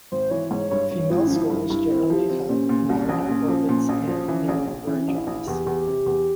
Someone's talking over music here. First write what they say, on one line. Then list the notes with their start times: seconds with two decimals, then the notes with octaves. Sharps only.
Female skulls generally have rounder orbits, and narrower jaws.
0.12 G#1 C5
0.31 E3 C#5
0.51 G#2 C#5
0.70 G2 C#5
0.91 G2 C#5
1.10 G#1 F4
1.19 E4
1.27 F3 C#4
1.36 E4
1.50 G2
1.70 G2
1.90 C4
2.10 F3
2.29 C4
2.49 A#2 C#4
2.69 A#2
2.89 C2
3.09 A#1
3.28 A#2
3.48 F3
3.69 A#2
3.89 A#1
4.08 F3
4.28 E3
4.48 A#1
4.68 A#1
4.87 E3 C#4
4.95 C4
5.03 C#4
5.08 A#1
5.17 E4
5.27 A#1
5.47 E2 G4
5.67 E2
5.87 C3
6.06 E2